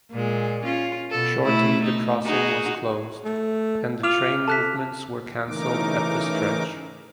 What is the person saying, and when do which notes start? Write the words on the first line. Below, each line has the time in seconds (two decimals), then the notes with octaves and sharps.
Shortly the crossing was closed and the train movements were cancelled at the stretch.
0.11 A#2 G#3
0.64 C#4 F4
1.11 B2 A4
1.44 B2 A3 E4
1.84 D#4
2.25 D#4 F#4 G#4
3.25 A3
4.03 F4 D6 F6 F7
4.48 A4 A5 F#6 B6
5.47 C#3 E3 A3 D#4 A#4 D6